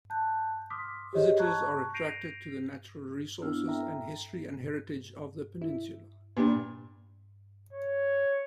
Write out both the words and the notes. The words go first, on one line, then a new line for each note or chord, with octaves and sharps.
Visitors are attracted to the natural resources, and history and heritage of the peninsula.
A5 F#6 G6
C6 D6 D#6 F6 B6
G4 G#4 C5 C#5 D#5 E5
A5 A#5 C#6 F#6 G#6
G6 A#6 C7 D7 D#7 F7
B3 C4 D4 E4 E6 F6
A4 E5 G5 A#5
E4
A#2 D4 G4 B4
C#5